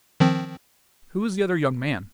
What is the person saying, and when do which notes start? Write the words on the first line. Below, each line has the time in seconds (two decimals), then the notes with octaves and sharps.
"Who is the other young man?"
0.20 D#3 F3 C4